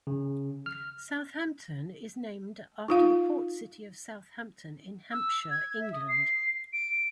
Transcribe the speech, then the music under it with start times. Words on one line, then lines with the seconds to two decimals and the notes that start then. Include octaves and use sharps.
Southampton is named after the port city of Southampton in Hampshire, England.
0.07 C#3
0.66 F6
2.88 D#4 F4 F5
5.12 E6
5.51 G#6
5.80 E5
5.93 D#6
6.08 C7
6.73 D7